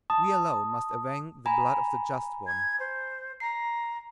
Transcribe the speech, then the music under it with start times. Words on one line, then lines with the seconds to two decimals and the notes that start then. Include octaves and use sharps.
We alone must avenge the blood of the just one....
0.10 A5 D#6
1.46 G#5 A#5 B5
2.46 G#6
2.79 C5
3.40 A#5 C7